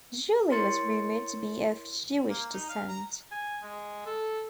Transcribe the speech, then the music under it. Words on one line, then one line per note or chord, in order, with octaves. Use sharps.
Julie was rumored to be of Jewish descent.
E4 A#4 C#5 C6 A6 C#7
A#3
D#4
F5
A#5
G#5
G#3
A4